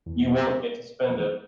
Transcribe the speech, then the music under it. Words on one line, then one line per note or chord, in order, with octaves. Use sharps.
You won't get to spend it.
E2
F2
E2